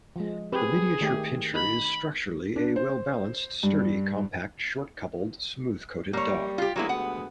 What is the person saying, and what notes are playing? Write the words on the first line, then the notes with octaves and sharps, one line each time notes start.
The Miniature Pinscher is structurally a well balanced, sturdy, compact, short-coupled, smooth-coated dog.
F3 G#3
C4 G4 G#4 B4
D#3 A3 G4
D#4 B5
D4
C5
G2
G3 A#3 C#5
F4 G4
D2 F#3 G#3 A#3 B3 E4
F#5